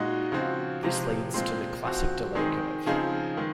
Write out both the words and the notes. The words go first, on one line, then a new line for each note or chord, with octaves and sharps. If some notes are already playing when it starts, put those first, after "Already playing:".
This leads to the classic delay curve.
Already playing: A#2 G#3 D#4 F#4
C#3 F3 C4 F#4
C3 F3 G#3 C4
A#2 F3 G#3 C4
F3 C4 F#4
D#3 G#3 C4 D#4 G#4
C#3 F3 C4 D#4 G#4
D#3 G#3